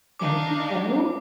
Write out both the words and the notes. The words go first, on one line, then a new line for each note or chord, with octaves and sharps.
There you go.
D4 D#4 F5 D6